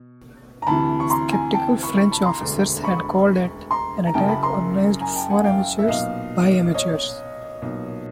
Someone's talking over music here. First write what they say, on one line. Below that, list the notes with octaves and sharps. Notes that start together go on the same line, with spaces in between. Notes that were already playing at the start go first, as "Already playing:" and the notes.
Sceptical French officers had called it "an attack organized for amateurs by amateurs".
Already playing: B2
A#5
D2 C3 E3 A5 B5
C#6
A#5 C6
G#5 A#5
G5 A5
B5 C#6
B5 C#6
A5 B5
A#5 C6
E1 D2 D3
B5 C#6
A#5 C6
A#5
F#1 F#2 C#3 G5 A5
A5 B5
A#5 C6
G#5 A#5
G5 A5
F#5 G#5
F5 G5
E5
B1 A#2 D#5 F5
C#5 D#5
B1 A#2